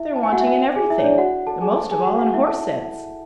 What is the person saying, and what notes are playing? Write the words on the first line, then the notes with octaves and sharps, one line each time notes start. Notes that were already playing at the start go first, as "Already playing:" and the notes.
They're wanting in everything, and most of all in horse-sense.
Already playing: E4 E5
A5
G#5
F#4 F#5
E5
F#4 F#5
G#4 G#5
E4 E5
C#5
D4 D5
F#4 F#5
A4 A5
G#4 G#5
A4 A5
G#4 G#5
F#4 F#5
F#4 F#5
F#5
E4 E5
A4 A5